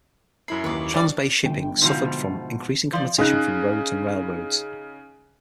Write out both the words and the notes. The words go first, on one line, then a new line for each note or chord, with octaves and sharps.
Trans-bay shipping suffered from increasing competition from roads and railroads.
F#2 E4 B5 C7
D#2 B4 C#5 D6
G3 D4 D5
G1 G5
G#2 B2 F3
F3 D5
C#3 D#4 F#6